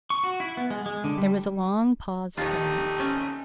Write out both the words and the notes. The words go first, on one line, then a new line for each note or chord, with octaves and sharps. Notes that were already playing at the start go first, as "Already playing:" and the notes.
There was a long pause of silence.
C#6
F#4
E4
B3
G#3
G#3
D3
G3
A#1 D#2 A3 D#4 F4 G4 C#5
C4 C#4